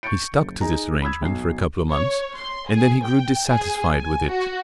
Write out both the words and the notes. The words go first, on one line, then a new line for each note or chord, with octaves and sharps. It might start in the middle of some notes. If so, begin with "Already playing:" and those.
He stuck to this arrangement for a couple of months, and then he grew dissatisfied with it.
C#6 G6 A6 C#7 D7
F#1
D#4 G#4 A#5
B5 D#6 E6 G#6
B1 C7
C#5
C6
G#4
G5
G#4
G#5
F#4